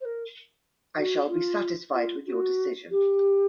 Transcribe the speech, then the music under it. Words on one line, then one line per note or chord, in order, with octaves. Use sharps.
I shall be satisfied with your decision.
C5
A#4
F#4
F4
F4
F#4
G4